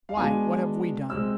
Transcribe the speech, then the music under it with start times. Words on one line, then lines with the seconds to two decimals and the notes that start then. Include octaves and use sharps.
"Why, what have we done?"
0.09 F5
0.17 B2 G#3 B3 D4 G#5
1.09 C3 G#3 C4 E6